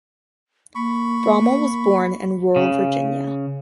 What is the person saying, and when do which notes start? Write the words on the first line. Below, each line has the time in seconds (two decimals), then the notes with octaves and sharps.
Bromell was born in rural Virginia.
0.75 A#3 B5 C#6
2.56 C#3